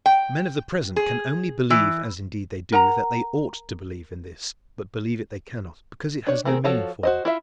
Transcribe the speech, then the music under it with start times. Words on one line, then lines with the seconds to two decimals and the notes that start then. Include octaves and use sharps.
Men of the present can only believe, as indeed they do, that they ought to believe in this; but believe it they cannot, because it has no meaning for them.
0.06 G5
0.96 G#4
1.70 E3
2.72 A#4 F#5 A#5
6.27 D4 C#5
6.45 D#3 A3 C4 G#4 A#4
6.64 F3 F#4 A4 C#5 F5
7.03 F#4 C5 D#5
7.25 E4 F4 E5